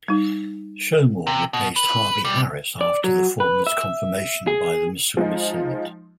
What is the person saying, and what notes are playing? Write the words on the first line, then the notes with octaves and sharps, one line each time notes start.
Schoemehl replaced Harvey Harris after the former's confirmation by the Missouri Senate.
G3 D#4
C3
B2
B4
G3
D5
F#3
B4
E5
G#4
F3 G#3 D#4